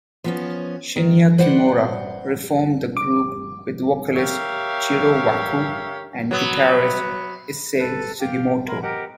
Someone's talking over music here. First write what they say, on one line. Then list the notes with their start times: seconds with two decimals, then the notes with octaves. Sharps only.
Shinya Kimura re-formed the group with vocalist Jiro Waku and guitarist Issei Sugimoto.
0.24 F3 B3 C#4
0.96 D#3
1.38 B4 C5 D5 F#5
2.97 D6
4.15 G4 A#4 C#5 E5 F5
6.31 F#3 B3
7.77 A4 B4
8.19 G4 F5 G5
8.67 A#4 B5 C6 G#6
8.82 G4 A#4 D#5 F#5